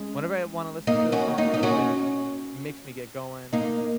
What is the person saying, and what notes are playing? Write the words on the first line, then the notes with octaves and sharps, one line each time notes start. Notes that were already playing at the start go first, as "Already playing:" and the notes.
whenever I wanna listen to a song, it just m makes me get going.
Already playing: G#3 C#4
A#3 D#4
C#4 F#4
A#3 D#4
D#4
C#4 F#4
A#3 D#4